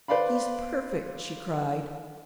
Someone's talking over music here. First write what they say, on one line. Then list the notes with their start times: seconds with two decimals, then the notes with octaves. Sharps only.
'He's perfect!' she cried.
0.08 B4 C5 D5 F5 B5